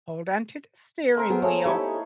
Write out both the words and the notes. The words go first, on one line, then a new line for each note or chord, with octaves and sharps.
hold on to the steering wheel
A3 C4 A#4
B3 G#4
A3 A#3 G#4 C#5
D#4 E4 G4 A4 C#5